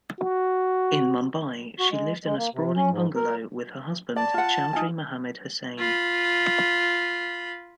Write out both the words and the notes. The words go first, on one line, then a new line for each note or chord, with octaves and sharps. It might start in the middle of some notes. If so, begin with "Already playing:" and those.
In Mumbai, she lived in a sprawling bungalow with her husband Chaudhry Mohammed Hussain.
F#4
F#4
G#3
G#3
A#3
C3
C#4
G#2
A#4
D5 A5
F4 F#5
D#4 F4 G#5
F4 B5